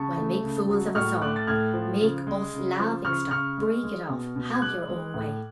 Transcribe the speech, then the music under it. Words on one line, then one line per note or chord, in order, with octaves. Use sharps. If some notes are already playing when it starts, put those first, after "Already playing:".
"Well, make fools of us all; make us laughing-stocks; break it off; have your own way."
Already playing: C#3 A5 C#6
A3
C#3
F#3
A2 C#6 F6
A3 D6 F#6
A6
A2 F6 G#6
F3
C#3
G#3
C#3
F3
C#3 C#6 F6
C#3 C#6 F6
G#3
G#3
B2
B2
G#6
G#3 D6 F#6
G#3
A2